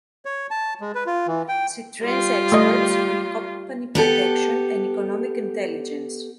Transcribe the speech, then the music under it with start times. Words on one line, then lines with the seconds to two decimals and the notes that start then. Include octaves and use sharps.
She trains experts in company protection and economic intelligence.
0.25 C#5
0.51 A5
0.81 G#3
0.95 B4
1.06 F4
1.27 E3
1.48 G5
2.03 G3 F4
2.52 A3 D#5
3.95 B3 G4 A4